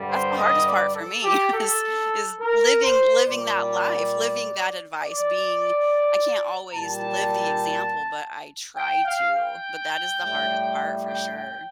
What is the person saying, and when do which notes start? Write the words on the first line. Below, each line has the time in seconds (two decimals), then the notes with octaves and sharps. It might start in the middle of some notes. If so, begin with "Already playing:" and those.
That's the hardest part for me, is is living living that life, living that advice, being I can't always live the example, but I try to, but that is the hardest part, for sure.
Already playing: G2 D3 G3
0.09 C5
0.37 D#5
0.67 D5
0.95 A4
1.24 G4
1.53 A4
2.40 A#4
2.83 C5
3.26 A#2 G3 D5
5.00 D5
6.73 A#2 G3 A5
8.76 G5
9.05 F5
9.34 G5
10.20 A2 G3
11.07 G5
11.36 G5